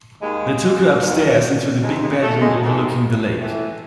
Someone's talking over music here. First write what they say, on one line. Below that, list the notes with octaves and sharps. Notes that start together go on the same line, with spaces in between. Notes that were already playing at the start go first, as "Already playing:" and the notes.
They took her upstairs into the big bedroom overlooking the lake.
D#2 D#3 G#3
D#2 D#3
F2 C3 D#3 G#3
G#3
A3
G#3
F2 C3 D#3
A2 E3